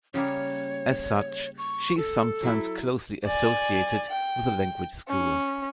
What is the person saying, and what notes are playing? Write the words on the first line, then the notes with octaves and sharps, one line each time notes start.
As such, she is sometimes closely associated with the Language School.
C#3 G3 A#3 C#5
C#6
A4
F#3 E4
D5 G#5
G5
C#4